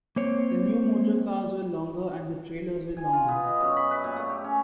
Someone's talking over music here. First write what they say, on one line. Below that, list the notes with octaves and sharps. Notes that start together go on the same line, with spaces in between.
The new motor cars were longer, and the trailers were longer.
A#3 C4 C#5
G#5
F4
B3
D#5
F#2
B5
B4
A#2
A3
G4
C#4